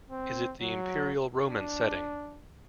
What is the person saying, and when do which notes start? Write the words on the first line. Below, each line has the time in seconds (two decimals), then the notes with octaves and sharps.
Is it the Imperial Roman setting?
0.10 C4
0.61 F#3
1.44 D4